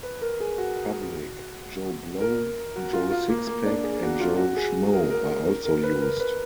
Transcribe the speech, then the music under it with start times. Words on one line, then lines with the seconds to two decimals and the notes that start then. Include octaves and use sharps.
Public, Joe Blow, Joe Sixpack and Joe Schmoe are also used.
0.03 B4
0.21 A#4
0.40 G#4
0.58 F#4
2.21 A#4
2.76 F#4
2.93 F4
3.11 F4
3.30 A#3
3.47 A#3
3.66 D4
3.84 G#4
4.03 F#4
4.20 F4
4.38 F#4
4.56 G#4
4.93 A#4
5.10 A#4
5.29 A#4
5.47 A#4
5.65 A#4
5.83 B4
6.01 A#4
6.20 B4